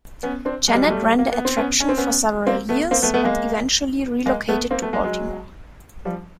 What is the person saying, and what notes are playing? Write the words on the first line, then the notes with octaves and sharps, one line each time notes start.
Janet ran the attraction for several years, but eventually relocated to Baltimore.
B3 C#4
C4 D4
G#3
G3
F#3 G#3
G3 A3
A#3
B3
C4
B3 C#4
C#4
C4
B3 C#4
A#3 C4
A3 B3
A#3 C4
A3 B3
A3 B3
G#3 A#3
G#3 A#3
A3 B3
A#3 C4
A3 B3
G#3 A#3
F#3 G#3
F3 G3